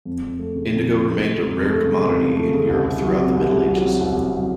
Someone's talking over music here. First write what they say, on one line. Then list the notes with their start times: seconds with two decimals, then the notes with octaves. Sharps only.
Indigo remained a rare commodity in Europe throughout the Middle Ages.
0.05 F2
0.22 F2
0.39 A3
0.55 C#3
0.71 F2
0.88 F2
1.05 A3
1.21 C#3
1.37 F2
1.54 F2
1.70 A3
1.87 C#3
2.04 F2
2.19 F2
2.36 A3
2.53 C#3
2.68 C2
2.85 C2
3.02 F#3
3.19 C3
3.35 C2
3.51 C2
3.68 F#3
3.84 C3
4.01 C2
4.17 C2
4.34 F#3